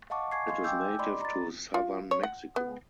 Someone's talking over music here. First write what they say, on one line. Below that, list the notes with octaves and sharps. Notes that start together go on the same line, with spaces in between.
It is native to southern Mexico.
D#5 F5 F#5 A5 C#6 D6
G#5 C#6 G#6 C7
D#5 F5 C6
G5 G#5 D6 E6 G6
D5 D#5 B5 C6 D6
A#5 A6
F4
C#5
F#5
B3